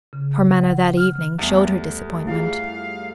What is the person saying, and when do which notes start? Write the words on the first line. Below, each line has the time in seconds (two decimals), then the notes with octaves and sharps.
Her manner that evening showed her disappointment.
0.13 C#3
0.60 F#5
0.97 F6
1.39 E2 G3 A3
2.27 E4 F4 G#4 F5